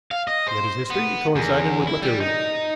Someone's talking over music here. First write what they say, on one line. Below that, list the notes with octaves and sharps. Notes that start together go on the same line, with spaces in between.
Yet his history coincided with my theory.
F5
D#5
C5
B3
E2
E4
G3
D#4